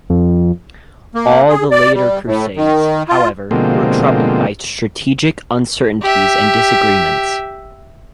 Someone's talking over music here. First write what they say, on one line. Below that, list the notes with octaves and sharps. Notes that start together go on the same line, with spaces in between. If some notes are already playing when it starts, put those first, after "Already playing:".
All the later Crusades, however, were troubled by strategic uncertainties and disagreements.
F2
A#3
G#4
D5
G3
A2
D#3
F4
B2 D3 F3 G#3 A#3 C4
G4 E5